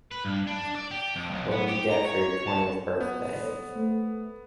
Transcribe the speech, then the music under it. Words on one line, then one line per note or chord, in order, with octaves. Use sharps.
What did you get for your twentieth birthday?
B4
G2
D4
D5
G4
F2
B1
B3
G4
A#5
C#5
A5
B3
A4 C5
A3 A4